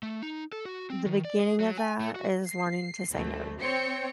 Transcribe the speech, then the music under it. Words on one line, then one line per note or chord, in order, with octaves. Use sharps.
the beginning of that is learning to say no,
A3
D#4
A4
F#4
C4
D#3
D5
G#4
F#3
G#5
A3
F#4
C7
D2 A3
C4 C5 C#5 G5 C#7